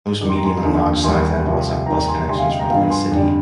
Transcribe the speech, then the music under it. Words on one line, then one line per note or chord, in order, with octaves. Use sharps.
Most medium and large size airports have bus connections from the inner city.
F2 D#3 G3 D6
C6
A#5
G#5 C6
D#2 D3 F3
D#2 D#3 G3 G#5 C6
C2 C3 F3
D#2 D#3 G3 G5 A#5
G#5 C6
D2 C3 G3 G#5 C6
F5 G#5
D#5 G5
G5 A#5
G2 F3 F5 G#5
G#5 C6
F2 D3 G3